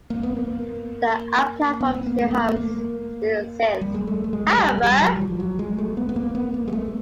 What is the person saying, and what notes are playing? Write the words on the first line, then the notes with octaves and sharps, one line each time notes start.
The Up platform still exists however.
A#3
B3
A#3
B3
A#3
A3
A#3
A3
A#3
G3
G#3
A3
A3
G#3
G#3
G3
G#3
G3
F#3
E3
F3
F#3
G#3
A3
B3
B3
A#3
B3
A#3
G#3
A3